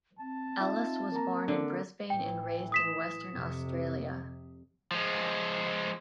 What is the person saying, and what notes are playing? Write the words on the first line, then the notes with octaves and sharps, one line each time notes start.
Ellis was born in Brisbane and raised in Western Australia.
C4 A5
D#4 F4 E5
A#3 A#5
D3
A1 E3 G5
D#6 B6 E7
F2 C3
F3 G#3